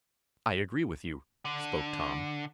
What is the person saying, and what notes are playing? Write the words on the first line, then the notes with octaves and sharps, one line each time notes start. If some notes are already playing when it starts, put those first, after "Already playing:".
"I agree with you," spoke Tom.
D3